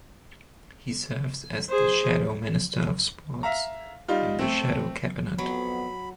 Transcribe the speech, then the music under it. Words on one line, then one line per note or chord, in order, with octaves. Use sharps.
He serves as the Shadow Minister of Sports in the Shadow Cabinet.
G#4 C5
E5 F5 A#5
G3 D#4 F4
A3 C4
F2 F#3 B3 F#4 B5